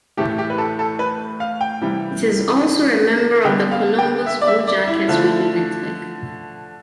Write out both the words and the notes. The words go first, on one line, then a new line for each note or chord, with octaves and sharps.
It is also a member of the Columbus Blue Jackets Radio Network.
A2 E3 A3 G4
G4
B4
A4
A4
B4
F5
G5
C3 E3 G3
D3 G3 B3 G5
F5
G5
E5
D5
E5
D5
E4
D3 F3 A3